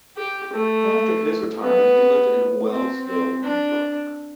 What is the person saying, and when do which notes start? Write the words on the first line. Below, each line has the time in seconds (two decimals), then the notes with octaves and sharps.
After his retirement he lived in Wellsville, New York.
0.17 G4
0.53 A3
1.62 B3
2.70 C4
3.06 C4
3.43 D4